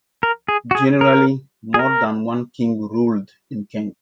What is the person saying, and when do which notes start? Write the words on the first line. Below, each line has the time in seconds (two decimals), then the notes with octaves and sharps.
Generally more than one king ruled in Kent.
0.23 A#4
0.48 G#4
0.71 F#4
0.75 G#4
1.01 A#4
1.74 G#4
1.79 A#4